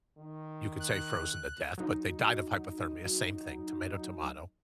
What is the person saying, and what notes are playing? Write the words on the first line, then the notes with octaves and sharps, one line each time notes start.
You could say frozen to death, but they died of hypothermia, same thing, tomato, tomato.
D#3
F#6
F#3 D#4